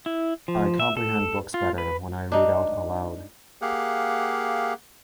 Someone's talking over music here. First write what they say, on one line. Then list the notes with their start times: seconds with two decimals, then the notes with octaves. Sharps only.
I comprehend books better when I read out aloud.
0.06 E4
0.48 F3
0.80 E5
0.97 A4
1.54 F4
1.78 B4
2.32 D4 D#4
3.62 A#3 G4 G#4 F5 F#5